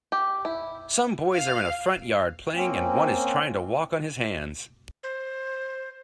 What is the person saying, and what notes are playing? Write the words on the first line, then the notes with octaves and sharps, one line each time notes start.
Some boys are in a front yard playing and one is trying to walk on his hands.
G4
E4
F5
A#3 C4 C#4
C5